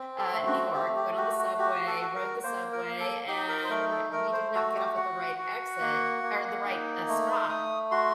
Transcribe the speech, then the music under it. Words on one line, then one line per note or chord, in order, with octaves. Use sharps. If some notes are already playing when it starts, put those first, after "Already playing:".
uh, New York, went on the subway, rode the subway, and we did not get off at the right exit er, the right, uh, stop
Already playing: C4
A4
A3
F#4
A3 G4
G4
F#4 G4
F#4
F#4 G4
A4
F#4
A#4
A#3 C5
A#4
A#3
A4
D#4 G4
A#4
C5
A3 A#4
A4
A3 A#4
C5
F#4 A4
G4
F#4 F#5
F#4
A#3
A#3
D#4
A3
A3 D#6
F#4 C6